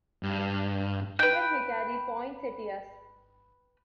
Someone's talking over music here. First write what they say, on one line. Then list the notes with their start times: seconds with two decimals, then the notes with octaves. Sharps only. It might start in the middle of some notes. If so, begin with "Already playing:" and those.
Children may carry poinsettias.
0.23 G2
1.19 B4 G5